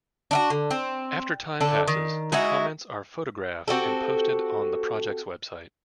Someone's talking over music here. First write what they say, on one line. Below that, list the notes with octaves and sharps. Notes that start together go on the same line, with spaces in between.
After time passes, the comments are photographed and posted on the project's website.
D4 E4 F#4
D3
C4
D3 D4 A4
D#3
G#3 D#4 E4 F#4
C4 F#4 G4 A4